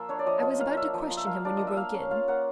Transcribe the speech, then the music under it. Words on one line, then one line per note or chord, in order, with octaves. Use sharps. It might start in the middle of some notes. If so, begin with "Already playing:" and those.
I was about to question him, when you broke in.
Already playing: F3 A#3 F4 E5
D4 C#5
D5
F3 D#5
F4 D#5
A#3 F5
D4 E5
F3 D#5
F4
E5
A#3 F5
D4 D5
A#3 D#5
E5
A#3 F5
C#4 F5
F4 F5
A#3 F#5